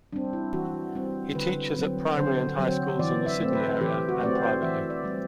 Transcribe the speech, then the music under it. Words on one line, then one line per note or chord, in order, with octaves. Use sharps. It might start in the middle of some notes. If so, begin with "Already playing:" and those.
He teaches at Primary and High Schools in the Sydney area and privately.
G3 C4 D4
E4
E3 F#4
G3 C4
D3 B4
F#3 C4
D3 C5
F#3 C4
E3 D5
E5
A3 C4
B4
E3 G4
F#4
A3 C4 D5
C5
E3 E5
D5
G3 C4